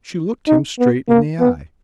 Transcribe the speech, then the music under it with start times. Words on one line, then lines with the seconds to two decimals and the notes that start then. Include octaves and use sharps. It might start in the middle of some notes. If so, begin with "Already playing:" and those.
She looked him straight in the eye.
0.47 D#4
0.79 B3
1.09 A#3
1.39 B3